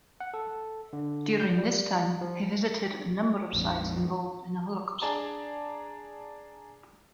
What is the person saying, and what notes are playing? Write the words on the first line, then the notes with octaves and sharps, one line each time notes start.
During this time, he visited a number of sites involved in the Holocaust.
F#5
A4
D3
G6
G3
F3
A#1 F2 G#2
D4 G#4 D5 A5 A#5